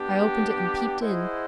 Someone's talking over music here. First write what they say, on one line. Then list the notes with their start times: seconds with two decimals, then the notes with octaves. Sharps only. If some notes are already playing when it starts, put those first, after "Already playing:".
I opened it and peeped in.
Already playing: B3 D4 G4
1.00 E4 G#4 C5 D#5 F#5